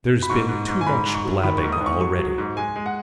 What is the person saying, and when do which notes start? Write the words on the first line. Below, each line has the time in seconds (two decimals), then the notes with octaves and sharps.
"There's been too much blabbing already."
0.22 B5
0.30 G#2 C#6
0.49 G#2
0.68 G#2
0.81 G#5
0.86 G#2 B5
1.06 G#2
1.15 C#6
1.25 F#3
1.43 D#3 B5
1.58 C#6
1.63 G#2
1.72 D#6
1.81 G#2
1.86 C#6
2.00 F#3 C#6
2.19 F#3
2.38 G#2
2.57 G#3 G#5
2.76 G#3
2.86 F#5